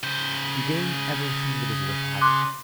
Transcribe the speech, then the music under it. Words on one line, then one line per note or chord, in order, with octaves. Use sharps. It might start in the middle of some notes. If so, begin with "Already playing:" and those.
You gain everything that is worth having.
C#3 C5
C6 D6 F#6